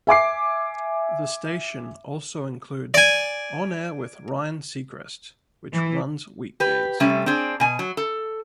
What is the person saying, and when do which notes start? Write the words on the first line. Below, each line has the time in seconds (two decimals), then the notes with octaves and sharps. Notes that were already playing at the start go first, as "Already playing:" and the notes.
The station also includes "On air with Ryan Seacreast" which runs weekdays.
0.07 E5 G#5 D6 C7
2.94 D5 G#5
5.72 E3
6.60 G4 B4
7.00 C3 G3 A3 C#4
7.26 C4 D4 G#4
7.60 B2 G#5
7.79 F#3
7.97 A4